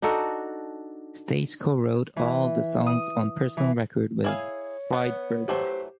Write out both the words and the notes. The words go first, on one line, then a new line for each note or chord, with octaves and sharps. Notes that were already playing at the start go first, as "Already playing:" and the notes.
Stace co-wrote all of the songs on Personal Record with Friedberger.
D4 D#4 F#4 A4
E3
D#6
E3
E4 G#4 C#5 F5
B3
E3 F#3 A3 G4 C5